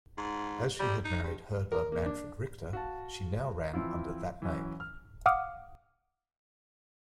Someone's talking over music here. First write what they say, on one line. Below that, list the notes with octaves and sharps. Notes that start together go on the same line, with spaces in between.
As she had married hurdler Manfred Richter, she now ran under that name.
G#2
G3
D#4
G2
A#4
A#3
D4
F#4 F5 A5
E3 F3 C4 E4 F4
E3 F#3 C#4
F6
F5 F#5 D6 D#6 F6